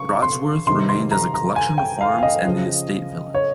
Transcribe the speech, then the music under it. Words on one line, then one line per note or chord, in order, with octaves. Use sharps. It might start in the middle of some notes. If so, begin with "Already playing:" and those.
Brodsworth remained as a collection of farms and the estate village.
Already playing: C#3 C#6
C6
C3 D#3 G3 C6
C6
A#5
A#5
G#5
G5
F5
F5
D#5
C#3 F3
C#5